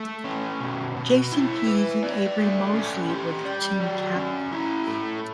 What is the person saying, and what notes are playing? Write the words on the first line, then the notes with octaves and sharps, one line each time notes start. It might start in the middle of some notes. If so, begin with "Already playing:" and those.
Jason Pease and Avery Moseley were the team captains.
Already playing: A3
C#4
B2
B2
E4
B4
D5
A3
C#4
G4
D5
F#3
C#4
E4
A3